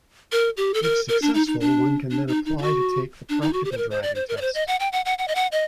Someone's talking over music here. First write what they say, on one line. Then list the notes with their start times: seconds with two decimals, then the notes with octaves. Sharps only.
If successful, one can then apply to take the practical driving test.
0.32 A#4
0.57 G4
0.74 A4
0.83 A#4
1.09 A#4
1.22 D4
1.34 D#4
1.47 D#4
1.60 D4
2.11 D4
2.28 D#4
2.45 D#4
2.58 D#4
2.62 F#4
3.29 D4
3.42 D#4
3.53 F#4
3.65 G4
3.72 C5
3.77 A#4
3.91 C5
4.03 D5
4.15 C5
4.29 A#4
4.37 D5
4.41 C5
4.55 D#5
4.67 F#5
4.80 G5
4.92 F#5
5.05 F#5
5.18 F#5
5.28 D#5
5.35 F#5
5.52 D#5